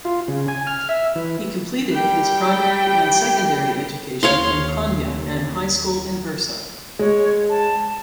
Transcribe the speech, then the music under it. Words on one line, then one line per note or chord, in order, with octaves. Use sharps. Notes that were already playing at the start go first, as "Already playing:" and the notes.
He completed his primary and secondary education in Konya and high school in Bursa.
F4
C#3
G#5
F6
E5
E3
G3 G5
D#2 C#5 F5 C6
G#3 C#5
A5